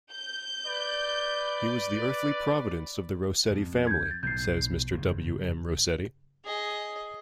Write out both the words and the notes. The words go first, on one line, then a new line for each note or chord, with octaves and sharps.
'He was the earthly providence of the Rossetti family,' says Mr. W. M. Rossetti.
G6
B4 D5
F2
G6 G#6
A6
B1 A2 G6 C7
F#1 G2
G#4 D#5